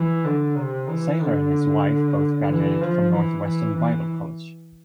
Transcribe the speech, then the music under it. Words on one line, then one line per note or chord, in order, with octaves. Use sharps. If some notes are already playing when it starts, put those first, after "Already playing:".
Sailer and his wife both graduated from Northwestern Bible College.
Already playing: E3
D3
C3
E3
D3
E3
F3
E3
E3
E3